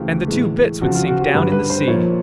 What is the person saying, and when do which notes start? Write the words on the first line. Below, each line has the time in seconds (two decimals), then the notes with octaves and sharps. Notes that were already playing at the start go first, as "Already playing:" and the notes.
"And the two bits would sink down in the sea!"
Already playing: D2 C#3 E3 G4
0.28 A2 E3 G#3
0.81 F2 C#3 F3 F#4
0.95 F4
1.08 F#4
1.22 G4
1.35 G2 D3 G3 B4
1.52 B4
1.70 C5
1.87 A#2 F3 A#3 C#5